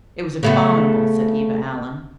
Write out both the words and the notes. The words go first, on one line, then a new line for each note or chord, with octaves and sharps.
"It was abominable," said Eva Allen.
C#3 A3 B3